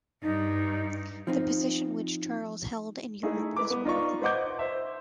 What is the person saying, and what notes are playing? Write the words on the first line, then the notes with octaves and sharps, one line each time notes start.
The position which Charles held in Europe was remarkable.
G2 D#4
F3 C4 D#4
A3 D#4 E4 G#4 A4
B4 D6
B3
D#4 F4 D5 C#6
B4 C5 D#5 F#5 D6 G6
C5 E5